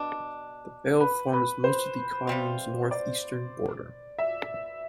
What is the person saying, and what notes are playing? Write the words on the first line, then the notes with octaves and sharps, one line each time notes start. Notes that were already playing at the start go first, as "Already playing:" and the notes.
The Veyle forms most of the commune's northeastern border.
Already playing: B2 D4
B4
B4
C5
C3 G3 C4 F4
D5
E5